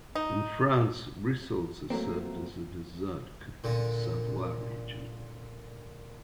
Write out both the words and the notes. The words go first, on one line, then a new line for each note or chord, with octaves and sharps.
In France, rissoles are served as a dessert cooked in the Savoy region.
D#4
F#3 A3 A#3 C4
A#2 D3